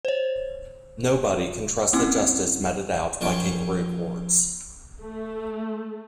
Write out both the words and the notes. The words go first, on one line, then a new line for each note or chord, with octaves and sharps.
Nobody can trust the justice meted out by kangaroo courts.
C5 C#5
A#3 C4 C#4 E4 F#5
A#1 C#4 F4 C#5 G5
A3